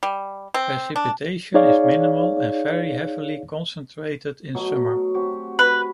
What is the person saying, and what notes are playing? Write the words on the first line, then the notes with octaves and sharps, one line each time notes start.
Precipitation is minimal and very heavily concentrated in summer.
G3
C4
D4
D#4 G#4 C#5 D5 F5
B2 F#3 A3
C4 F#4 G4
B4 B5